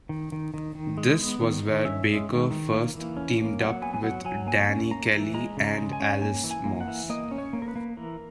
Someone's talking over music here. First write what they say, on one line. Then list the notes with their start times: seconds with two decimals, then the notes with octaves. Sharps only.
This was where Baker first teamed up with Danny Kelly and Allis Moss.
0.09 D#3
0.32 D#3
0.54 D#3
0.75 D#3
0.97 G#3
1.19 B3
1.42 D#3
1.63 D#3
1.85 C#4 E5
2.06 G#3
2.29 D#3
2.50 D#3
2.72 A#3
2.94 E3
3.17 C#4
3.38 A#3
3.60 F#3 F#5
3.82 B3 G#5
3.94 G#5
4.03 F#3 F#5
4.25 F#3 G#5
4.47 A#3 G#5
4.69 C#4
4.91 A#3 A#5
5.12 E3
5.34 G#3 A#5
5.57 C#3
5.64 A#5
5.78 G#3
5.93 G#5
6.00 C#4
6.22 A#3 G#5
6.44 E3
6.51 G#5
6.66 A#3
6.81 F#5
6.88 E3
7.10 A#3 D#5
7.31 C#4
7.38 C#5
7.53 A#3
7.62 A#4
7.68 B4
7.76 A#3
7.97 E3 A#4